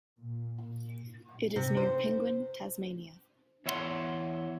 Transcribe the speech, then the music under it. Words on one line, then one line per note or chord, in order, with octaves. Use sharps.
It is near Penguin, Tasmania.
A#2
C3
C5
E2 C#5 E5 F#5 C6